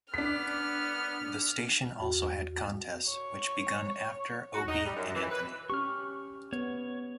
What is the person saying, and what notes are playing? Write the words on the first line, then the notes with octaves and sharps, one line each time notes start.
The station also had contests which begun after "Opie and Anthony".
B3 D4 F6 B6
E2 F#4
C#5
F#4
D#4
G3
F#2
E3
B4
C#4 G4 C#6 F6
B3 C#5